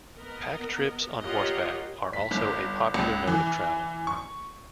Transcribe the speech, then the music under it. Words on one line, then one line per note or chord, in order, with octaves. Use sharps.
Pack trips on horseback are also a popular mode of travel.
B3 A#4 D#5
F4 G4 A#4 C#5 D#5 F#5
B6
G1
C#2
E3
C#6